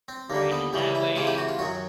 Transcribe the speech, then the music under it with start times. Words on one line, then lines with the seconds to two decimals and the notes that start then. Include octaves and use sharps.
Right, and that way,
0.08 C4
0.30 D#2 D3 G3 A#3
0.51 B3
0.73 C#2 C#3 E3 G3
0.95 E4
1.15 C#2 C3 E3 F4
1.27 G4
1.38 F#4
1.49 F4
1.59 F#2 D#3 F#3 F#4